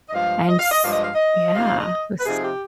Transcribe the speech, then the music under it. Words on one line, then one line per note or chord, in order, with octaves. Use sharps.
And, s yeah. It was
D#5
G2 F3 G#3 F5
D#5
F5
D#5
G2 F3 G#3 F5
D#5
F5
D#5
C3 F3 C4 D#4 F5
D#5
B4
C3 F3 C4 D#4 G#4
G4